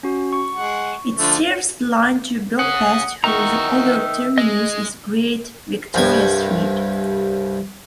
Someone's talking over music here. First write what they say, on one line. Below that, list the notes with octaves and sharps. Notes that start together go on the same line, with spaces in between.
It serves the line to Belfast, whose other terminus is Great Victoria Street.
C#4 F#4
C#6
G#3 F#5
D3 F3 A3
C#4 G#4 F#5 D#6
E2 D#3 F#4 E5 A#5 C#6
G#3 G#4 D#5
C2 G2 G#5